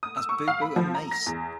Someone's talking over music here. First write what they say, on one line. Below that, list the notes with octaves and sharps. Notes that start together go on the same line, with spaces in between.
As Boo Boo and Mace!
D#6
E6
C#6
F5
B5
F3
A#5
A#6
E2